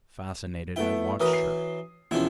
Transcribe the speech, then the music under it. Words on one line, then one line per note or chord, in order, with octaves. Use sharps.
Fascinated, I watched her.
A3 B3 E4 G5
E3 F#3 A#4 B4 D#6
C7
E1 E3 F3 C#4 F4 E5